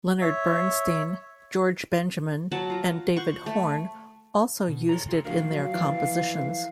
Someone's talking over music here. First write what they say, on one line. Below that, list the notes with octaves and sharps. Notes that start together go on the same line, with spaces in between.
Leonard Bernstein, George Benjamin and David Horne also used it in their compositions.
C#5 E5
F#3 F#5 A5
F4 A#5
C5 F#5 C#6
A3
B2
A4 C#5 A#5
F4 G#4 A4
D2 F3 A#4 F5
F#3
E3 F3 D5